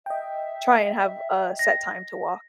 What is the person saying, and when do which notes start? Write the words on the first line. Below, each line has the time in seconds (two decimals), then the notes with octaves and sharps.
try and have a set time to walk.
0.06 D#5 E5 G5
1.59 A#6